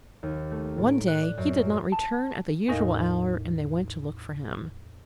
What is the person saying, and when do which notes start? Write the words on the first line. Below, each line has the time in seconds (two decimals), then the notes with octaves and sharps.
One day he did not return at the usual hour and they went to look for him.
0.23 D#2
0.51 A3
0.78 A2
0.91 D7
1.08 F#6
1.22 D5
1.37 F#2
1.92 A5
2.68 E2 A2 D#4 A#4 D#5 F5